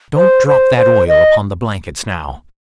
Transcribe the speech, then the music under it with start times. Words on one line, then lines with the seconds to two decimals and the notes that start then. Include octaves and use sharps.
"Don't drop that oil upon the blankets, now."
0.16 C5
0.47 C5
0.77 C5
1.08 D#5